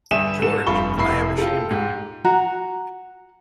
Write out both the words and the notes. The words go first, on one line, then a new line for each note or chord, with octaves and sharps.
George, I am ashamed of you!
G2 D3 E5 G#5 D#6 E7
G#2 A4 E7
F1 G2 F4 B5 C#6 G7
F1 C3 E4 B5 C7
F4 G4 A4
G#2 G4
F#4 F#5 A#5